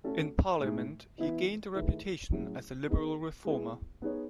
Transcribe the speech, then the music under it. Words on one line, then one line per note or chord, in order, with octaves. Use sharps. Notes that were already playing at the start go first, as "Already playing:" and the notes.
In Parliament he gained a reputation as a liberal reformer.
A3 C#4 F#4 A4
A2 G#3 D#4
E3 B3 E4
D#3 A3 E4 G#4 B4
A2 F#3 C#4 E4 G#4
B3 D#4 G#4 D#5
G#3 B3 E4 G#4
B3 D#4 G#4 C#5